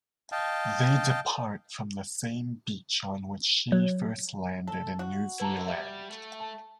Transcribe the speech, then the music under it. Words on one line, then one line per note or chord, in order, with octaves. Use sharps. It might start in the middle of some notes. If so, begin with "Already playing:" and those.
They depart from the same beach on which she first landed in New Zealand.
D#5 F5 G5 A5
F#3
A4
F#4
D3 E4 B4 A5 A#5
G3 E5
A3
A5